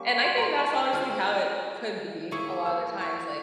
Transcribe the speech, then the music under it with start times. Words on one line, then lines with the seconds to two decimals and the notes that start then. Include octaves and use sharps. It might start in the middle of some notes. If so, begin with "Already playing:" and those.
and I think that's honestly how it could be a lotta the times, like,
Already playing: G3 A#3 C#4 G4 C#6
0.25 C6
0.38 A#5
0.42 C6
0.59 C#6
0.77 E6
0.93 G#3 C#4 F4 F6
2.31 A#3 E4 G#4 C#5 C#6
2.66 E6
3.01 C#6